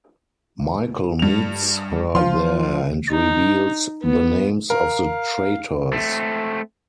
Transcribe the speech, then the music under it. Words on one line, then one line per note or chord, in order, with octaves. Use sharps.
Michael meets her there and reveals the names of the traitors.
G2 F7
F3 F4 C6
D#4
B3
A#4 F5
A3 C4